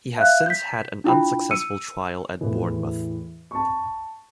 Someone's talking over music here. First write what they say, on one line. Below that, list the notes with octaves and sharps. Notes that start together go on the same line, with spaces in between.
He has since had an unsuccessful trial at Bournemouth.
E5 F5 F#6
G6 B6
D4 E4 F4 G5 B5
E6 C#7 D#7
E2 A2 E3
A5 C#6